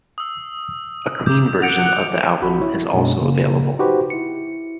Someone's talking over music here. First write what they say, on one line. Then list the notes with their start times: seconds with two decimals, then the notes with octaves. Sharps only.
A clean version of the album is also available.
0.18 D#6 E6
1.26 D6 G6
1.62 F#5 C#7 D7 F7
2.42 G#1 F#4 B5
2.61 E4 C#5
2.94 F#2 B2 G#3 C4 D4
3.21 C#3 A#3
3.79 D#4 F#4 G4 B4 C5
4.10 E4 C#7